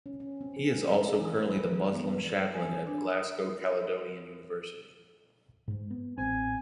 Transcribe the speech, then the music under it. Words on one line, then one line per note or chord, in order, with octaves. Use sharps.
He is also currently the Muslim Chaplain at Glasgow Caledonian University.
C#4
C#4
C4
G#4
A#4
G#4
E3
B4
E3
G#3
B3
G#5
D4
D#6
G#2 G#3
B3
A1 C4 G#5